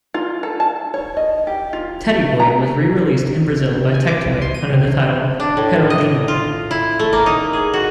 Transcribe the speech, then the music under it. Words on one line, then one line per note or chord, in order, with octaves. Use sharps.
"Teddy Boy" was re-released in Brazil by Tectoy under the title "Geraldinho".
F4
A4
A5
C#5
D#5
G4
F4
A#5
C3
G#5
D6
C2
C6
D#7
C3
D4
A2
D#5
F4
E4
A3
A#3
D#4
G#4
F#4